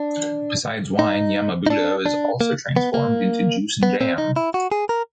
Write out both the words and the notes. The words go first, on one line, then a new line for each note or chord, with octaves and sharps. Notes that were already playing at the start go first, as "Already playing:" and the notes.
Besides wine, yama-budō is also transformed into juice and jam.
Already playing: D4
D#4
D#4
D4
D4
A#3
B3
A#3
B3
C4
D#4
E4
F#4
G#4
A#4